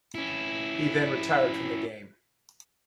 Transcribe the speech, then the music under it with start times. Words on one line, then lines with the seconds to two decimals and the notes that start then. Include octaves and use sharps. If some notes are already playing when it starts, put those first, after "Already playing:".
He then retired from the game.
0.15 C#4 E4